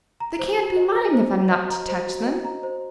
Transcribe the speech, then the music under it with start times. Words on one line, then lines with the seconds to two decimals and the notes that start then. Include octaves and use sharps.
"They can't be mine, if I'm not to touch them."
0.20 A#5
0.39 C5
0.58 F#4
0.76 D#5
0.95 A#5
1.13 C5
1.32 F#4
1.51 D#5
1.70 A#5
1.88 C5
2.07 F#4
2.26 D#5
2.45 A#5
2.63 C5